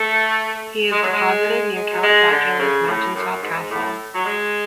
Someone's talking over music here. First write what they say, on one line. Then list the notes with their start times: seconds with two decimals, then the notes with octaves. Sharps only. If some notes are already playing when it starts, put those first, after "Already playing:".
He is deposited near Count Dracula's mountaintop castle.
Already playing: A3
0.92 G#3
1.03 F#3
1.13 G#3
1.76 G#3
1.92 F#3
2.04 G#3
2.31 D3
2.59 C#3
2.87 A2
3.15 F#2
3.43 G#2
3.71 A2
4.15 F#3
4.25 G#3